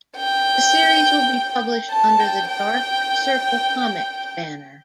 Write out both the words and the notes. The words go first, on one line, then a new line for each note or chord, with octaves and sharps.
The series will be published under the Dark Circle Comics banner.
G5
A5
G5
G5